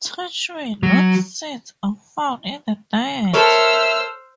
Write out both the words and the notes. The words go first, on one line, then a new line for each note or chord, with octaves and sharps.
Touch-me-not seeds are found in the diet.
F#3
A4 A#4 C5 C#5 E5 E6 F6